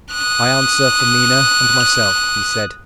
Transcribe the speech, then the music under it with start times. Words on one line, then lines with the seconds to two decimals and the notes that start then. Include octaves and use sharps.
"I answer for Mina and myself," he said.
0.13 D#6 F#6